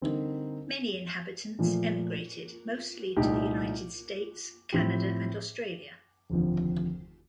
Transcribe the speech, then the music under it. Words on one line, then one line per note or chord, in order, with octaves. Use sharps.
Many inhabitants emigrated, mostly to the United States, Canada and Australia.
D3 G3 C4 D#4 A#4
A#2 F3 A3
C2 A#2 A3 D#4 G4
A2 F3 C4 G4
F1 D#2 D3 F3 C4